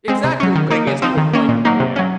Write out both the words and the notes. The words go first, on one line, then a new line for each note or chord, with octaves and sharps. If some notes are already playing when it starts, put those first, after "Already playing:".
Exactly, but it gets to a point though, yeah.
G#3 C4
C3
F#3 C#4
D#3
A#3 D#4
C#3
F3 C4 D#4
D#3
A#3 C#4
A#2
F#3 A#3 D#4
C3
F#3 C#4